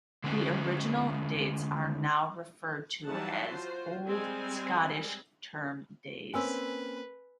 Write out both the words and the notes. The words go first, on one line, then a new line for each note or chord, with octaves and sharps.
The original dates are now referred to as "Old Scottish Term Days".
D3 G#3 C#4 B4
E3 F#3 G3 D#4 F#5 A5
F4 F#4 C5
G3 G#3 C4 G#5
A#3 C4 C#4 B4 G#5 C6 E6